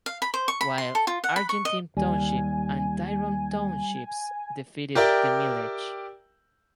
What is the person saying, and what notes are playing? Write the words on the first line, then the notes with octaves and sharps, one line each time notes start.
While Argentine Township and Tyrone Townships defeated the millage.
F5
B5
C5
C#6
B5
C6
A4
F4
F#5
B5
C#6
D#5
D#2 G3 G#5
G4 A#4 D5 E5 G5